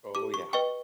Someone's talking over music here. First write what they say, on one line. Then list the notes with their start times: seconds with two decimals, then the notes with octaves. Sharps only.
Oh, yeah.
0.15 G4 D6
0.34 C#6
0.53 B4 D#5 G5 C#6